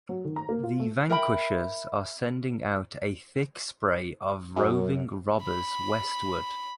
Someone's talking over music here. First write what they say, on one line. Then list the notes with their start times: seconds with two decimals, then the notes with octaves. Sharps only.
The vanquishers are sending out a thick spray of roving robbers westward.
0.09 F#3
0.25 D#3
0.36 A#5
0.49 A#3
0.63 F4
0.80 A3
1.10 A#4 E5 G5 B5
4.56 F#2 F#3
5.43 B5